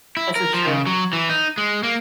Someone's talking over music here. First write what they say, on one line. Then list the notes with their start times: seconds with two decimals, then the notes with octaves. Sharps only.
This is true.
0.17 E4
0.36 A#4
0.54 F3
0.67 C#3
0.86 F#3
1.13 E3
1.30 D#4
1.58 G#3
1.83 A#3